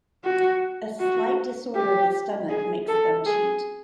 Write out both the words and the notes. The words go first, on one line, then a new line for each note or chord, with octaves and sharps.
A slight disorder of the stomach makes them cheat.
F#4
F#4
G4
G#4
A4
G#4